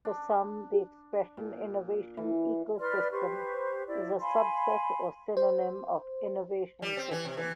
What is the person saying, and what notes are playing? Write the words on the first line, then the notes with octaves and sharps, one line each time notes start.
For some, the expression 'innovation ecosystem' is a subset or synonym of 'innovation system'.
D4
A#2
E3
B4 D5 C6 F6
G4 B4 C5 C#6
E4 D5
F5 G#5 B5 C6
C5
G3
C4
E3
C3
E3